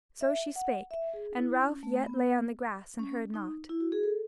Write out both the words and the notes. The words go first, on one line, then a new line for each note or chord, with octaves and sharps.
So she spake, and Ralph yet lay on the grass and heard nought.
E5
F#5
E5
G#4
E4
C#4
A3
B3
C#4
D#4
E4
F#4
G#4
A4